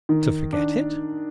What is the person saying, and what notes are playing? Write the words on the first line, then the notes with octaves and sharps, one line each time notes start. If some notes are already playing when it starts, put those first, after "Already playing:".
"To forget it!"
D#3
D4